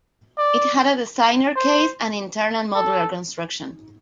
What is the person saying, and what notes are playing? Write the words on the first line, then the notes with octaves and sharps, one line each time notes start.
It had a designer case and an internal modular construction.
D5
C5
A4